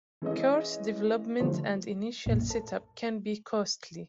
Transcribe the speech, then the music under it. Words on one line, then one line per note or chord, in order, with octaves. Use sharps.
Course development and initial setup can be costly.
E3 G#3 C#4 D#5
D3 E3 F3 G3 A3 C5
B1 F#2 A#2
A4